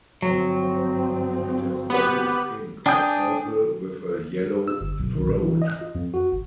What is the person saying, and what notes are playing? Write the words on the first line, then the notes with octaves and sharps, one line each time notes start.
It is blue, pink, or purple with a yellow throat.
G1 F3 F#3 C4
B3 G4 B4
D4 G5 G#5 D#6 G6
E6
G1
B1
D#3
A#1
E3
D#5
F4
F2
F#4
G#1